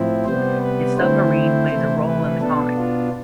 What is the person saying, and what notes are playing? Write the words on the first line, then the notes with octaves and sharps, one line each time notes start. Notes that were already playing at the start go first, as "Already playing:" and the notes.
His submarine plays a role in the comic.
Already playing: A2 F3 C4 E4
C3 G3 B3 C5
B4
D3 A3 C4 E4 C5
C3 E3 A3 E4
B4
B2 B3 D4 A4
F4